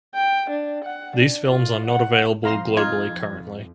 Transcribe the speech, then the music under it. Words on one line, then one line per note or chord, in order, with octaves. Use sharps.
These films are not available globally currently.
G5
D4
F#5
D4
F4
F#5
F2 F5 A#5 C6
D#4 F4 G#6